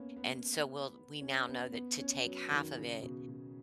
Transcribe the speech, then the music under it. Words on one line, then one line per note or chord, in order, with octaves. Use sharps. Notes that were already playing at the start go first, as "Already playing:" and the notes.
and so, we'll, we now know that to take half of it
Already playing: A#3 B3 C#4
B3
C#4
B3
B3
C#4
F#3
D#3
C#3
B2
B2